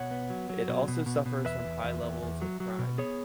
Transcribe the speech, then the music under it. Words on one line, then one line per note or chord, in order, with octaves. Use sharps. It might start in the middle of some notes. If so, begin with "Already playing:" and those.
It also suffers from high levels of crime.
Already playing: B2 C#5 F#5
B3
F#3
F#3
B2
B2
B2
B2
E2 B4 E5
E2
E2
E2
E2
F#3
F#3
B2
B3 G#4 C#5